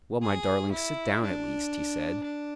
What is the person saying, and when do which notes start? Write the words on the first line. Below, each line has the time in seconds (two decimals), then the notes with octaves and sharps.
"Well, my darling, sit down, at least," he said.
0.22 G#4
0.72 E4
1.23 D4
2.23 D4